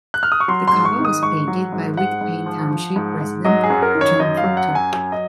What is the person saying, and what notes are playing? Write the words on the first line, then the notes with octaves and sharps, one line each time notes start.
The cover was painted by Whitpain township resident John Falter.
F#6
F6
D#6
C#6
F#3 C6
C6
G#2
C#6
D#3
D#6
G#2 C#6
F#3
G#2
G#2 F#5
G#2
F3
F3
G#2
G#2
F#3 D#5
G#4
F#2
A#4
D#3
C#5
F#2 D#5
F5
F#3
F#5
F#2
G#5
F#3 G#5
D#5